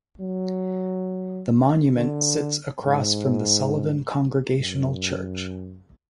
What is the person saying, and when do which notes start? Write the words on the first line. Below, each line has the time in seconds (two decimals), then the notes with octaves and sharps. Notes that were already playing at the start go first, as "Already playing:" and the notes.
The monument sits across from the Sullivan Congregational Church.
0.21 F#3
1.96 D3
2.83 G#2
4.58 F#2